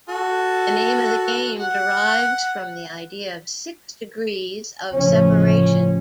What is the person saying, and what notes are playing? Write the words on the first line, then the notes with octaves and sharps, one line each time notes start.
The name of the game derives from the idea of six degrees of separation.
F#4 A4
F#5
A1 C#3 F3 C#4